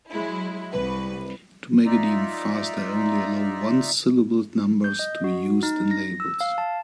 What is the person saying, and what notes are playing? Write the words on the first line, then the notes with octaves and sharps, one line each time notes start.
To make it even faster, I only allow one-syllable numbers to be used in labels.
F#3 G#3 E4
C2 B4
D#4 F4 D5 E5 A#5
G6
D#5
F#4
D#4
A#6
E6
F5
A5